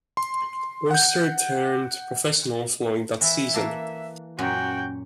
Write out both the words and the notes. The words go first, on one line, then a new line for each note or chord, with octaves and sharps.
Orser turned professional following that season.
C6
F#5 G6
E3 E4 E5
E3 A#3 A4
F#2 A#2 C#4 F#4 G5